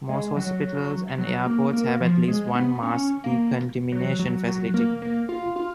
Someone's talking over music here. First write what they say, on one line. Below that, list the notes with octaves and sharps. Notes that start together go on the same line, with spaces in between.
Most hospitals and airports have at least one mass decontamination facility.
G#3
F#3
F#3
A#3
A#3
F3
G#3
B3
C#4
A#3
F#3
F#3
F#3
A#3
A#3
F4
F4